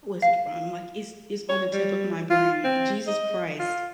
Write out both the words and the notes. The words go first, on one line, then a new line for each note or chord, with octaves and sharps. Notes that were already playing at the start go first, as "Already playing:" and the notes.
what was it from? Like, it's it's on the tip of my brain, Jesus Christ.
F5
C#5
G3
F4
C4
D#5
F4